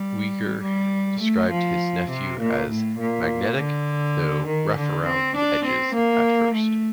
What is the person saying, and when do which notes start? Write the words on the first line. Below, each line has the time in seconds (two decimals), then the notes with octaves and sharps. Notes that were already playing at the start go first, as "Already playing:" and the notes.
Uygur described his nephew as "magnetic" though "rough around the edges" at first.
Already playing: G3
0.61 G3
1.20 A3
1.50 F3
2.09 C3
2.39 A#2
2.69 A2
2.99 A#2
3.57 D3
4.46 D#3
4.76 D3
5.06 C4
5.35 D4
5.64 C4
5.94 A#3
6.53 A3